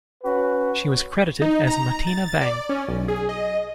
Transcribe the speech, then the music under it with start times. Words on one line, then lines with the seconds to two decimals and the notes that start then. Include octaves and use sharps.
She was credited as Martina Bang.
0.24 C#4 F#4 B4
1.42 D#4
1.67 A#5
2.07 A6
2.28 A6
2.41 D5
2.69 C#4
2.88 B1
3.08 G#4
3.29 D#5